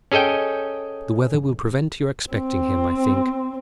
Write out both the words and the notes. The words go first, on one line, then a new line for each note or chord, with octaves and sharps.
The weather will prevent your expecting him, I think.
C#4 G#4 A4 D#5 G5
C4